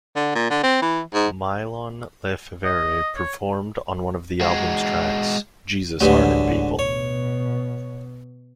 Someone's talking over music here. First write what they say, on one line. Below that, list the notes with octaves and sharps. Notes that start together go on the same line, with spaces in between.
Mylon LeFevre performed on one of the album's tracks, Jesus Hearted People.
D3
A#2
D3
C4
E3
G#2
D#5
C#5
G#3 F#4
A1 D2 G#2 D3 F#3 A3 G4 B4
B2 C#5